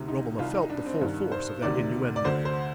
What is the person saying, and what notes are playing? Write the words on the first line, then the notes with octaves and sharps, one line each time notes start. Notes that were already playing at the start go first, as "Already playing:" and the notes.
Romola felt the full force of that innuendo.
Already playing: D2 C3 D#3
D#4
C2 C3 D#3 F4
D#4
D4
C4
G2 D#3
C5
D2 C3 D#3 D5
D5
D2 D3 C5
C5